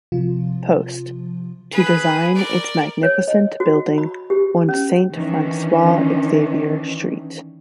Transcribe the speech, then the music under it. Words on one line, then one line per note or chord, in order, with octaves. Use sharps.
Post, to design its magnificent building on Saint Francois-Xavier Street.
C3 F3 F4
G#4 B4
A#4 D5
C#5
D#5
F#4
B5
G4
C#4
D#3 E3 C#4 D4